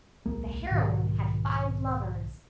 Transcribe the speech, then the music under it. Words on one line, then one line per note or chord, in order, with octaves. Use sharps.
The heroine had five lovers.
D1 B1 G#3 A#3
B1 G#2 B2 D#3